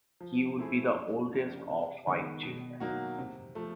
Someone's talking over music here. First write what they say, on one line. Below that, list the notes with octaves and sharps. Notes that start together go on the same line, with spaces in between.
He would be the oldest of five children.
F3
A3 C4 E4 G#4
F#2
C#3 F3 A#3 D4
C3
D#3 G#3 B3
B2
F#3 A#3 D#4 F#4
C3
F3 A3